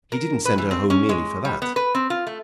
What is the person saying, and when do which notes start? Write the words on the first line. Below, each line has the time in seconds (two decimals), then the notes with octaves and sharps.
He didn't send her home merely for that.
0.12 A#4
0.45 B4
0.58 E3
0.71 C4
0.90 C#4
1.09 G#3
1.45 G3
1.62 B3
1.76 B4
1.95 C4
2.10 F4
2.27 A3